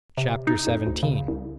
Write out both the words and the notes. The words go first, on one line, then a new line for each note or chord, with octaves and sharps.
Chapter XVII.
C3
D#4
F2
D2
C#3
C2